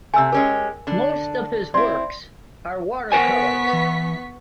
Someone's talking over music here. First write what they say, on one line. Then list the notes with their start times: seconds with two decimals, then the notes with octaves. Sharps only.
Most of his works are watercolours.
0.14 C3 A3 G#5 E6
0.32 G#3 C#4 G4 A#4
0.87 D3 D4
1.74 C4 E4 D5 C6
3.12 B3 A#4 C5 G#5 C#6 B6
3.73 E3